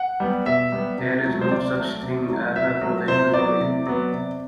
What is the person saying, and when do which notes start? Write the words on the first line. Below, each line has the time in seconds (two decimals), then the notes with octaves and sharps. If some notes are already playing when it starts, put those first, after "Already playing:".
There is no such thing as a "provisional patent".
Already playing: F#5
0.20 G3 B3
0.46 B2 E5
0.72 G3 B3
0.98 C3
1.24 F#3
1.29 A3
1.41 C5
1.51 C3 D5
1.77 F#3 A3
2.03 C3
2.30 F#3 A3
2.55 C3 E5
2.81 F#3 A3
3.08 C3 C5
3.34 F#3 B3 D5
3.60 C3
3.86 F#3 B3
4.13 C3